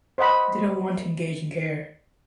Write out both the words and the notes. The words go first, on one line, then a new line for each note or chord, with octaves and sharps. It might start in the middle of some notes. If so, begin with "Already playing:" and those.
They don’t want to engage in care.
C5 D#5 F#5 B5